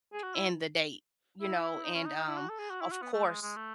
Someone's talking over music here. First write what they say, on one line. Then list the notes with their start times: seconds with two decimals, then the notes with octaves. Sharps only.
and the date, you know. And um, of course,
0.13 G#4
0.23 F#4
0.35 E4
1.41 E4
1.84 D#4
1.95 C#4
2.06 D#4
2.17 D#4
2.27 E4
2.37 F#4
2.49 A4
2.59 G#4
2.70 F#4
2.81 E4
2.92 F#4
3.02 B3
3.13 A3
3.28 G#3
3.42 G#3
3.56 A3